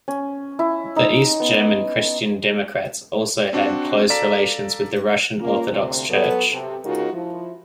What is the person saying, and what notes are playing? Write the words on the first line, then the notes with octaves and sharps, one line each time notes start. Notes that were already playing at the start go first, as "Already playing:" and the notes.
The East German Christian Democrats also had close relations with the Russian Orthodox Church.
C#4
E4
D#4
B3
C4 D4 F#4
A4 D5 F5 A#5 B6 E7
A#3 C#4 F4
D2 C3
F#3 B3 A4
C3 A4
C#3 G#3 D#4 F4 F#4 A#4
F3 E4